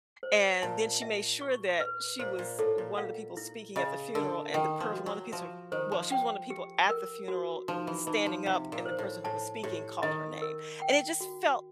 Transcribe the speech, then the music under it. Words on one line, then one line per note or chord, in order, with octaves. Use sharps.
and then she made sure that she was one of the people speaking at the funeral and the perf one of piece of well, she was one of people at the funeral standing up and the person who was speaking called her name. And it just felt,
C5
A#2 A5
E5
C#6
B4
A#2 C5
A#2
A2 A4
A#2
F5
E4
C#3 D#5
D3 A#4
D#3 G5
F3
F#4
F#3
F3 E5
D#3 C5
F3
G5
G4
A#4
F#4
F3 D#4
E3
E3 D#4
F3
C3 F5
A#2
C5
A2
A2 A5
A2 G4
D#3 D#5
A#4
G5
F#4